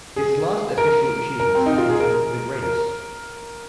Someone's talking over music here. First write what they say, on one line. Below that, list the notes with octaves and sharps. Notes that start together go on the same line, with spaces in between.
His last official achievements are considered the greatest.
G#4
A#4
A#4
C4
D#4
F4
G#4
A#4
A#4